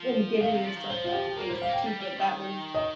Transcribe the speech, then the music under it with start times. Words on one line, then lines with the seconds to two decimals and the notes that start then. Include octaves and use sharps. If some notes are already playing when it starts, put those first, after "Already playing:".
And giving yourself that space to think that was
Already playing: F3
0.40 D#3 F5
0.52 C3
0.64 F3
0.77 D#3
0.89 F3 C5
1.04 F4
1.13 G4
1.27 G4
1.36 A#3 A#4
1.49 G3 C5
1.62 F5
1.69 A#3 G5
1.86 G3
2.01 G3
2.17 D#3
2.75 D#5